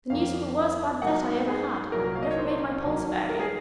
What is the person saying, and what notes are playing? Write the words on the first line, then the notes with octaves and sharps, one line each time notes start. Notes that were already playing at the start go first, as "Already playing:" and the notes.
The news of the worst bad debt I ever had, never made my pulse vary.
F2 D#3 A#3 F5
G#2 F#3 A#3 F#5
G#4
C2 A#2 F#3 A#3 A#4
F5
D#5
C#5
C5
D#2 D#3 F#3 A#3
A#4
G#4